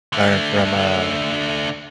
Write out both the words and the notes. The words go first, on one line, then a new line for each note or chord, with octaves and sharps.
learn from, uh,
D3 A3